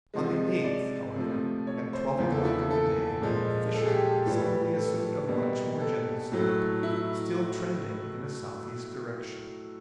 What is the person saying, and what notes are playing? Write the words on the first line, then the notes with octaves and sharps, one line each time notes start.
On the eighth, however, at twelve o'clock in the day, the fissure suddenly assumed a much more gentle slope still trending in a southeast direction.
C3 F3 G#3
D5
C3 F3 A3
C#5
C5
E2 C#3 F3 A#3
A4
E4
A4
A#2 F3 G#3
A4
G#4
G4
G#4
A2 E3 G3
A4
B2 G3 A#3
A4
A2 F#3 A3
E4